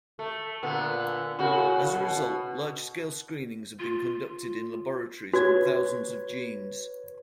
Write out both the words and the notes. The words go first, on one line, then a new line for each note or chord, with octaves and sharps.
As a result, large-scale screenings have been conducted in laboratories on thousands of genes.
A3
A#2 D3 B3
A2 C#3 F#4
B2
F4
F#4 B4 C#5 G#6